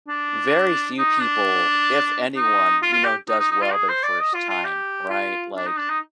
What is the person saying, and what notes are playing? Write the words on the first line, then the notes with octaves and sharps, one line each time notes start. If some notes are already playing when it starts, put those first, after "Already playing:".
very few people if anyone you know, does well their first time, right? Like
D4
D#4
D4
D#4
F4
F4
G4
D#4
D#4
D#4
F4
G#4
C5
D5
D#5
F4
F4
G4
F4
D4
D#4
D4
D#4